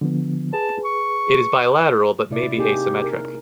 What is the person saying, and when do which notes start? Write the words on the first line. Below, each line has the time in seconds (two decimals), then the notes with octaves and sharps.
It is bilateral, but may be asymmetric.
0.01 D3 F3 B3
0.53 G#4 B4 A5
0.85 C#6
2.30 C3 E4 D5
2.57 A#3 D#4 G4 G#4
3.04 A#4